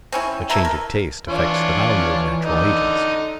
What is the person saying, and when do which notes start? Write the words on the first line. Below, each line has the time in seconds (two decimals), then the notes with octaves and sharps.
A change of taste affects the value of natural agents.
0.12 C4 C#4 E4
0.50 A3 B3 E4 A#5
0.65 A#4
1.29 E3 D4 F4 C#5
2.45 D3 D#4